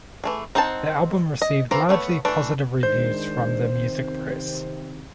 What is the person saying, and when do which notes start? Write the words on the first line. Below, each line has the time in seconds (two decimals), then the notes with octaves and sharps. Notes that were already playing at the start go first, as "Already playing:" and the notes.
The album received largely positive reviews from the music press.
0.24 E3 A3 G#4
0.55 C4 D#4 C5 F#5 A5
1.42 D#5
1.71 E3 C4 F4 A#4 F5
1.89 A3 B3 C#5
2.25 E3 A3 D4
2.83 D#3 G#3 D4 C5 G6
3.71 C3 D#3 C4